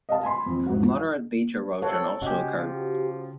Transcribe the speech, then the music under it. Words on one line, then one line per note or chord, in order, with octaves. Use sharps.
Moderate beach erosion also occurred.
D#5 F5 A5
G#5 B5 C6
F2
E1 G#2 F3 F#4
C4 A4 C#5 F#5
C#3 G#3 F#4 G4
F3